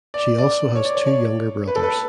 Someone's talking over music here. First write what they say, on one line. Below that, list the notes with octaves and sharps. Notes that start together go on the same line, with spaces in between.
She also has two younger brothers.
D5
D5
C#5
D5
C#5
C#5
B4
A4
B4